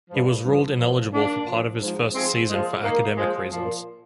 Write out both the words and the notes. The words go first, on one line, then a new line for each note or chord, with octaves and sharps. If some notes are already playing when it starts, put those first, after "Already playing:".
He was ruled ineligible for part of his first season for academic reasons.
G2 F3
G2 F3
A#2 F3
G#2 D#3 A#3 D4
A#2 F3
G#2 F3
G#2 F3 G#3 C4
A#2 F3 G#3
G#2 D#3 A#3
A#2 F3 G#3
A#2 F3